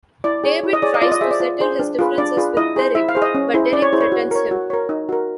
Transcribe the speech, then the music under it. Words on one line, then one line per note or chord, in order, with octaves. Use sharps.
David tries to settle his differences with Derek, but Derek threatens him.
E4 D5
G#4 C#5
E4
D#5
G#4 C#5 D5
D#5
F4 D5
D#5
G#4 C5 E5
D5
F4
G#4 C5
D4
F4 G#4 B4
D4 D5
F4 G#4 B4
E4 D#5
G#4 C5
E4 E5
F5
G#4 C5
D#5
C#4
E4 G#4 C5
C#4 D5
C#5
E4 G#4 C5
C#5
F#4
A#4 C#5
F#4
A#4 C#5
D#4
F#4 A#4